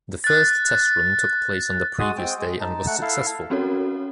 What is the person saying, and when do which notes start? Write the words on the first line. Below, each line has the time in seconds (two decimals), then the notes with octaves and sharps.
The first test run took place on the previous day and was successful.
0.24 F#6 A6
1.99 G#3 F#4 D#6
2.17 C4 G5
2.38 G#3
2.60 D#4 A5
2.86 A3 F#5
3.02 E4 A4 F5
3.50 C4 C#4 F#4 A4 A#4 C#5